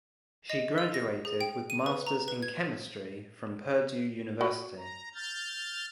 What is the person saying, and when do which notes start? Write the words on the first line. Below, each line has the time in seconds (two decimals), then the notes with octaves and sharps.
She graduated with Masters in Chemistry from Purdue University.
0.50 D#5
0.78 E6
0.94 A#6
1.25 G#4
1.41 G5
1.70 D#7
1.86 B4
2.07 A#5
2.28 B4
2.43 G#6
4.41 F#4 B5
4.77 A#5
5.14 F6 G6 A6